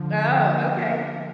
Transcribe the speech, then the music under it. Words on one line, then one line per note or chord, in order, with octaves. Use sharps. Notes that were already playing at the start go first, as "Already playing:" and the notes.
Oh, okay.
Already playing: D3 F3
A#3 A#4